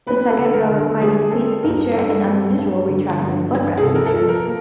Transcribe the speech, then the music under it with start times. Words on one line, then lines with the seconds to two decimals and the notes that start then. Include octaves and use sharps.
The second row reclining seats feature an unusual retracting footrest feature.
0.07 C4 B4
0.30 A4
0.38 D3
0.53 A#4
0.70 D3 A#4
0.78 A4
1.01 G3 G#4
1.32 C4 A4
1.63 G2 A#4
1.94 G2 A4
2.26 C4
2.58 G2
2.89 D3
3.20 G2
3.51 G2
3.77 G#4
3.82 C3 A4
3.95 A#4
4.06 A4
4.13 F3
4.29 A#4
4.45 A#3